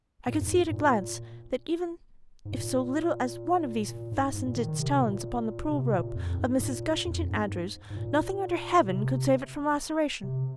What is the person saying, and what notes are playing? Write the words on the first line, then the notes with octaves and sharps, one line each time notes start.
I could see at a glance that even if so little as one of these fastened its talons upon the pearl rope of Mrs. Gushington-Andrews nothing under heaven could save it from laceration.
A#2
G#2
F2
G#2
A#2
G#2
A#2
A#2
G#2
G#2
A#2
D#3
D#3
C3
A#2
C3
A#2
F2
G#2
A#2
F2
G#2
G#2
A#2
C3
C3